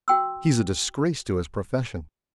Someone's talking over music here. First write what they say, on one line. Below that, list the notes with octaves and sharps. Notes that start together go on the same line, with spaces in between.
"He's a disgrace to his profession!"
F#4 G5 C6 E6